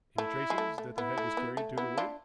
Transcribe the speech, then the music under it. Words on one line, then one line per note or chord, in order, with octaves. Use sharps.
"Any traces that the head was carried to the wood?"
A3 E4
G#3
A3
A3
B3 E4
A3
B3
A3
B3 E4
D4 F4